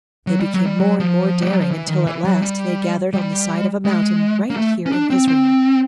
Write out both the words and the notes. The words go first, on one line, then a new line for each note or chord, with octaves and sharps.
They became more and more daring, until at last they gathered on the side of a mountain right here in Israel.
F#3
G3
F#3
G3
F#3
F3
G3
F#3
F3
E3
D#3
E3
F#3
G3
G3
G#3
A#3
A3
C#4
D4
C4
C4